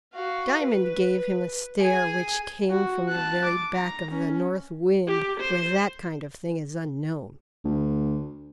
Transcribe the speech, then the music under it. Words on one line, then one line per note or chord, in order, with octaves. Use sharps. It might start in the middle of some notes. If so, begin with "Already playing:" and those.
Diamond gave him a stare which came from the very back of the north wind, where that kind of thing is unknown.
F#4 F5
B4
G#4 G#5
F#4
A5 F#6
D6
A#5
C#4
G4
C5
D2